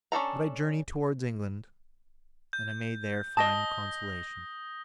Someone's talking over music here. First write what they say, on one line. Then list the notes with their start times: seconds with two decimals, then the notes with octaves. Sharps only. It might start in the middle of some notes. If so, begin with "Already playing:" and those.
But I journey towards England, and I may there find consolation.
0.12 C#4 D4 A4 A#5
2.53 G6
3.37 D#5 A5 D#6 A#6 G7